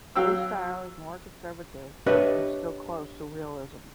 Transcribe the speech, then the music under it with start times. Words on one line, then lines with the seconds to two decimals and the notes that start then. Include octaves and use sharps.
His style is more conservative and still close to realism.
0.15 F#3 F5 G5 E6
2.07 D4 G4 B4 C#5 D#5 E5